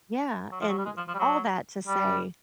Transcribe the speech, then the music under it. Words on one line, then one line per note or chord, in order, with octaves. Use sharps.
Yeah, and all that to say
F#3
F3
F#3
G3
G#3
F3
F3
G3
F#3
G3